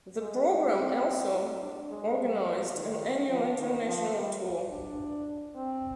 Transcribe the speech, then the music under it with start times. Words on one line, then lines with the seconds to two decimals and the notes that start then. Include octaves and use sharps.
The program also organised an annual international tour.
0.21 G#3
0.77 C4
1.61 D4
1.90 G#3
2.18 G3
2.46 F3
2.74 D#3
3.30 F3
3.59 D#3
3.86 F3
4.14 G3
4.71 D4
5.55 C4